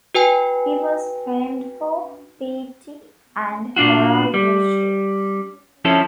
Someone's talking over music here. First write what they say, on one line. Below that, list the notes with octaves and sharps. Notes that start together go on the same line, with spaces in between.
He was famed for "piety and moral virtues".
F#4 B4 G5 G#5
A#2 D4 F4 F#4
G3
F3 C#4 E4 A4